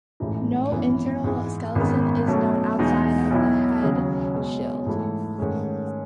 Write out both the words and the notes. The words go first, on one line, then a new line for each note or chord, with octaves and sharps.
No internal skeleton is known, outside of the head shield.
A1 G#2 E3 A3 D#4
G#1 F#2 E3 B3
G#2 E3 G#3
G#1 F#2 D#3 G#3 B3
B2 F#3 A3 C#4
E2 B2 G#3 D#4
B1 B2 F#3 B3 E4
D#2 C#3 F#3 C#4 G#4
B2 G#3 C#4
G#2 E3 A3 E4
G#2 D#3 A3 C#4 G#4